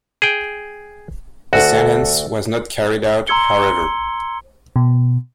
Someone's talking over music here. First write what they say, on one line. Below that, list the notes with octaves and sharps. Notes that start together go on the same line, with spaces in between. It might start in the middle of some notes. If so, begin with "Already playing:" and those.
The sentence was not carried out, however.
G#4 G5
D2 F#4 A4 F#5
A#5 C6 E6 G#6 C#7 G7
B2